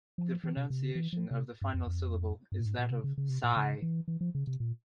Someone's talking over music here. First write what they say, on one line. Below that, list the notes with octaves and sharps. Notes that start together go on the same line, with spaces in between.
The pronunciation of the final syllable is that of "sigh".
F3
E3
C3
C3
C#3
E3
F3
C3
G2
F2
F2
G2
A#2
G#2
A#2
C3
C#3
C#3
C3
A#2
C#3
E3
E3
F3
C#3
C3
A#2